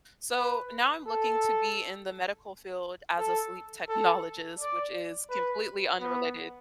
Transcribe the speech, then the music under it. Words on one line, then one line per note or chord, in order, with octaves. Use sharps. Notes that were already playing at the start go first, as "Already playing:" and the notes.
So, now I'm looking to be in the medical field as a sleep technologist, which is completely unrelated.
B4
A4
A4
A4
D5
B4
B3